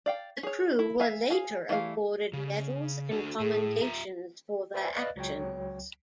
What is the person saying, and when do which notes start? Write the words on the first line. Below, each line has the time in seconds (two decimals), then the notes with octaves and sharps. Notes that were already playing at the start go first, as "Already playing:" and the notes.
The crew were later awarded medals and commendations for their actions.
0.06 D5 F5 G5
0.43 G#4 C#5
0.79 E4
1.00 E5 F5 G#5
1.30 G#4 F5 G#5
1.69 E3 A3 E4 F5
2.33 C#3
3.12 D4 F#4 A4
3.40 A2 G#4
3.82 F4 E5 A#5
4.74 B4 C5 D5 E5 G5 G#5
4.95 B4 D5 D#5 F5 F#6 A6
5.16 C#2 F#3 C#5 G5